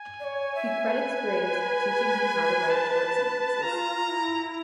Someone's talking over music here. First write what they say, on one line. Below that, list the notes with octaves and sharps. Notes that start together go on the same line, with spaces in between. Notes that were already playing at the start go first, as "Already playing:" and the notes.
He credits Graves with teaching him how to write short sentences.
Already playing: G#5
D5
C#5
E5
B4
A5
F4 A#5
E4